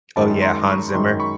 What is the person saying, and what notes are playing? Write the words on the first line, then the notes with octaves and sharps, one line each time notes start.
Oh, yeah, Hans Zimmer.
F#2 D#3 G#3 A5 B5
A#5 C6
B5 C#6
B5
F#2 D#3 G#3 A#5 C6
B5 C#6